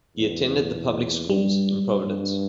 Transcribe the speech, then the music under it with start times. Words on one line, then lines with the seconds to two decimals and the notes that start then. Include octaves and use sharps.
He attended the public schools in Providence.
0.16 E2
1.29 G2 G3
2.06 G2